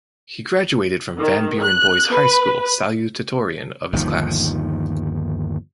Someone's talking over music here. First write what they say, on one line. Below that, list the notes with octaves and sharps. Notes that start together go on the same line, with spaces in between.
He graduated from Van Buren Boys High School salutatorian of his class.
D#3
F#6
B4
G1 D#2 D#3 F3